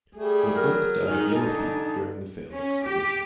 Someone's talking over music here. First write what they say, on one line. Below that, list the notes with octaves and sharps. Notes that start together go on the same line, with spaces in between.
Leclerc died of yellow fever during the failed expedition.
G3 A3 G#4
F#3 A#4
D#3 D#4 G#4 F6
D3 G#5 A5
C#4
G4